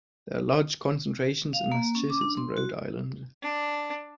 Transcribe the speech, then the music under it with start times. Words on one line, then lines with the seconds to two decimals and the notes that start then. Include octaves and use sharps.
There are large concentrations in Massachusetts and Rhode Island.
1.53 F5
1.72 A#3
1.95 C#4
2.10 D6
2.21 D4
2.37 C6
2.57 F#4
3.43 D4